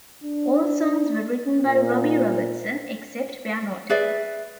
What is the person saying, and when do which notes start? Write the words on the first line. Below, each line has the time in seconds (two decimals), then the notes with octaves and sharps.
All songs were written by Robbie Robertson, except where noted.
0.24 D4
1.65 A#2
3.90 G#4 B4 D5 E5